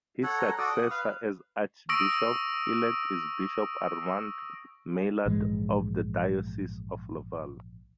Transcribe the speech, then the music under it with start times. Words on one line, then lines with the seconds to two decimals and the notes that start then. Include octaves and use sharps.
His successor as Archbishop-elect is Bishop Armand Maillard of the Diocese of Laval.
0.23 A4 C#5 F#5
0.39 A#5
0.58 F#4 A4 D5 D#6
0.75 F#5
0.90 B4 F5
1.89 C#6 D#6 E6 A#6 D7
5.26 A#1 G#2 E3 G#3